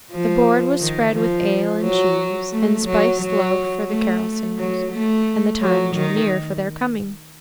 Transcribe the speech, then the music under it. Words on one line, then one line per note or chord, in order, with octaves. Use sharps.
The board was spread with ale and cheese and spiced loaf for the carol-singers; and the time drew near for their coming.
F3
D#3
F3
F#3
A3
F#3
F#3
A3
F#3
A3
F#3
D#3